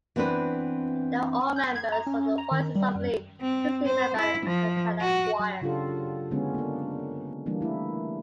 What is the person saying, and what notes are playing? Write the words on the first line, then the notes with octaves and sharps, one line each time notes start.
They were all members of the Voices of Lee, sixteen-member a cappella choir.
E3 B3 C4 D4 B4
G6
G#6
A#5
C#4
A#5
D#3
G3
F#2
C4
C5
E4
F3
F#4
F#3
C#3 D4 F4 G4 A4
D3 G#3 B3 C#4
A#3 D4
E3 G3 A#3 D4
A3 E4